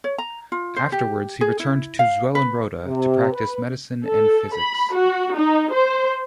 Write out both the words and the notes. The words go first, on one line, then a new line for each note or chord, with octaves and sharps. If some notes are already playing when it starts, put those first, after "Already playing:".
Afterwards, he returned to Zeulenroda to practice medicine and physics.
C#5
A#5
F4
C5
G4
G#4
E4
F5
B4
C3
B4
A4
B5
F#4
D#4
C5